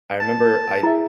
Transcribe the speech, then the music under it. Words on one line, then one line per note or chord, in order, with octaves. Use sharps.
I remember I
A5
E4 G#4 E5